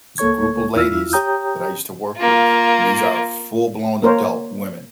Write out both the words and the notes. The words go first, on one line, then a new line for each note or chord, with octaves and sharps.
there's a group of ladies that I used to work with. These are full blown adult women.
C#2 A#3 A4 C#5 C#6 G#6
E2 E4 F4 E6 F6
G4 C#5 G5 A#5 D#6 G6
A#3 F4
A#3 A#4 C5 C#5